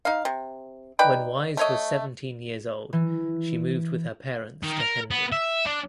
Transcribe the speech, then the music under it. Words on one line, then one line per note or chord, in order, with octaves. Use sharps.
When Wise was seventeen years old she moved with her parents to Hendon.
D#4 F5
C3
D#4 B4 D5 G5
A3 C#5 D#5
E3
D#3
A#4
B3
E5
D4